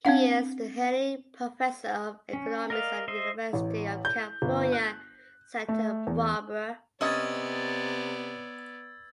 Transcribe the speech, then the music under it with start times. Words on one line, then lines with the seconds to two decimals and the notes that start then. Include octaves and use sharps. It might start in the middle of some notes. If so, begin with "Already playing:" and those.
He is the Henley Professor of Economics at the University of California, Santa Barbara.
0.05 C4 D4 F5 F#5
2.33 C#4
2.70 A#4 D5 D#5 F5
3.08 C5 D#5 E5
3.53 A1
4.05 G6
4.42 G1
4.72 F#6
5.69 A3
6.07 E2
7.01 C3 B3 C#4 D5 D#5 E6 G#6 A6